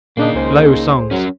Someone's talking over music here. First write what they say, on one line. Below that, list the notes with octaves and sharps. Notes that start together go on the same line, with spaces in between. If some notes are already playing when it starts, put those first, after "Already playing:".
Low songs.
A#2 C#3 A#3 D4 D#4 D#5
C#2 C#3 G#4 C5
F#3 C#4 A#4